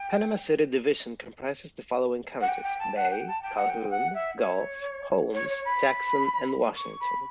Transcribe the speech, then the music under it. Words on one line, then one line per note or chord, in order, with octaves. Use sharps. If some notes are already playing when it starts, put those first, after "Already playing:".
Panama City Division comprises the following counties: Bay, Calhoun, Gulf, Holmes, Jackson, and Washington.
Already playing: G5
F#5
G5
G5
A5
F#5
G5
A5
G5
F#5
G5
F#5
E5
C#5
C#5
C#5
B5
C#6
B5